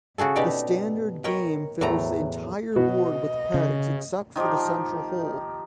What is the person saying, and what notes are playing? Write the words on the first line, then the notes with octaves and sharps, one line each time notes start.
The standard game fills the entire board with pegs except for the central hole.
C#3 F#4 G#4 A4
B2 D#4 G4 D5 B5
A#4 C#5 D#5 G5 B5
E2 A2 F#3 A#5
B2 B3 F#4 D#5
C#3
D#3 F3 D#4 G4